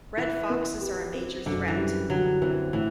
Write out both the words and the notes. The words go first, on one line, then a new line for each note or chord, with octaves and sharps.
Red foxes are a major threat.
E3 E4
B3
G4
C4
F#2 D3
E3
G3
D3 F#3
E3 C4
A2 E3